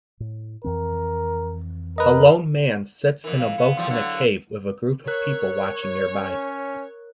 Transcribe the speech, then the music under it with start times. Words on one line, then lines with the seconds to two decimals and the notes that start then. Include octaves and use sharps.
A lone man sits in a boat in a cave with a group of people watching nearby.
0.20 A2
0.64 F2 E3 C4 A#4
1.98 A#4 B4 D#5
3.24 F2 E3 A#4
3.39 F5
3.58 B3
3.77 E2 F3 G3
3.90 D3 F#3
5.08 A#4 C#5 F#6
6.11 C#4